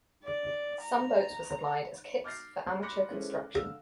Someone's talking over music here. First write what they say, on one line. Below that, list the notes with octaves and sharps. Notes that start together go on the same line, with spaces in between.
Some boats were supplied as kits for amateur construction.
D5
A#5
D6 F6 G6 A6 A#6 C7
B5 C6 D6 F#6 A#6 C#7
G#3 C#4 E4 A4 B4 C5
D3 F5 E6